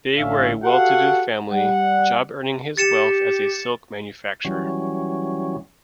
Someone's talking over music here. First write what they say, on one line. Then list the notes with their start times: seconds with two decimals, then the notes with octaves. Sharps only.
They were a well-to-do family, Job earning his wealth as a silk manufacturer.
0.17 A1 A2 D3 C#4 E5 F5
0.64 F#4 G4 A4 F5 F#5
1.51 G3 F#5
2.77 G4 A6 C#7 E7
4.45 E3 F#3 G3 C#4